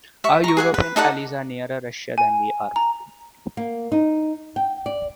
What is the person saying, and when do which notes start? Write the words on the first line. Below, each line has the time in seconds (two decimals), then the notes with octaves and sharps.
Our European allies are nearer Russia than we are.
0.24 E5 C#6
0.44 A#5 C#6
0.57 G#4 F#5 G#5
0.74 B4
0.96 D#4 A4 D5 F#5
2.18 G#5
2.76 A#5
3.57 A#3
3.92 D#4
4.56 G5
4.86 D5